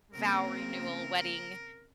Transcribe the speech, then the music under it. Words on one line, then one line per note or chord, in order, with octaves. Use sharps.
vow renewal wedding,
C#3 A#3 C4 A#4